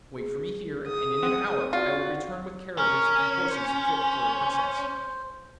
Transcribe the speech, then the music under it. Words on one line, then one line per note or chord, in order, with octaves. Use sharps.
Wait for me here, and in an hour I will return with carriages and horses fit for a princess.'
G#4
G#4 D#6
C4 F#5
F4 F#4 D5
C#4 A#4
C5